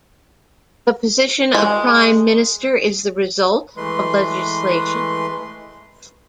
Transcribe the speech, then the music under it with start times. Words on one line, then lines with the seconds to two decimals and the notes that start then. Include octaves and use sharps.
The position of Prime Minister is the result of legislation.
1.55 G#3
3.77 E3 G#3 A3 B4 C6